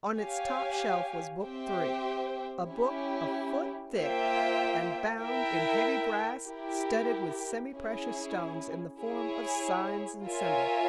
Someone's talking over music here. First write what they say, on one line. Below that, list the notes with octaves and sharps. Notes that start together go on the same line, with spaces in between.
On its top shelf was Book Three, a book a foot thick and bound in heavy brass studded with semi-precious stones in the form of signs and symbols.
G4 C#5 F5 G#5
C4 G4 C5 E5 G5
C#4 E4 G4
A#3 F4 C5 E5 G5
E4 A#4 E5 G5
E4 G4 A#4
C#4 E4 G#4
E4 G#4 C#5
F4 A#4 C#5 E5 G#5